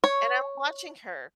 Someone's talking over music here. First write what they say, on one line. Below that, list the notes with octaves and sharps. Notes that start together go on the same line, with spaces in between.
And I'm watching her
C#5